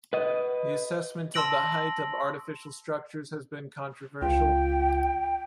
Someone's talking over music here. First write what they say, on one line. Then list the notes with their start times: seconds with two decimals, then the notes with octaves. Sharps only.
The assessment of the height of artificial structures has been controversial.
0.13 B4 D#5
1.34 A5 C6 E6 A#6 D7 F#7
4.22 C#2 F4 G5